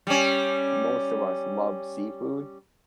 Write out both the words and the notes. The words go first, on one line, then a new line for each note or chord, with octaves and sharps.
most of us love seafood,
G3 C#4